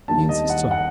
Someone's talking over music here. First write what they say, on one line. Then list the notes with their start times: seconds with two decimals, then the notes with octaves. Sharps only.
"He insists on it."
0.08 D#2 D#3 G3 A#3 D4 A5
0.29 D#5
0.49 F#5
0.71 F#5